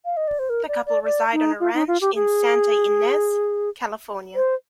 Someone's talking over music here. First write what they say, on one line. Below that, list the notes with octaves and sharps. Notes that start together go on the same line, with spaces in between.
The couple reside on a ranch in Santa Ynez, California.
F5
D#5
D5
C5
A#4
D5
D5
D5
D#4
F4
D#4
F4
G4
G#4
C5